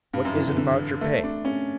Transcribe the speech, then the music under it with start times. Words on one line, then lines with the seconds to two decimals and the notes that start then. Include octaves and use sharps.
"What is it about your pay?"
0.13 G2
0.25 F#2
0.36 E3
0.47 D3
0.58 D3
1.01 A3
1.24 D4
1.45 C#4